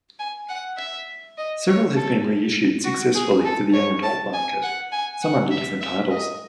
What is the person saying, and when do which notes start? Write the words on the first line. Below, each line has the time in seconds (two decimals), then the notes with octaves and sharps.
Several have been reissued successfully for the young-adult market, some under different titles.
0.19 G#5
0.49 F#5
0.78 E5
1.38 D#5
1.67 C#5
1.96 A4
2.84 F#4
3.15 G#4
3.45 A4
3.73 C#5
4.03 A5
4.34 G#5
4.63 F#5
4.92 G#5
5.22 F#5
5.51 E5
5.81 E5
6.11 D#5